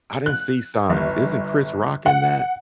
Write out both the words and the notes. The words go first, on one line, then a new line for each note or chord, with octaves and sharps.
I didn't see signs, isn't Chris Rock in that?
F#6
G1
F#5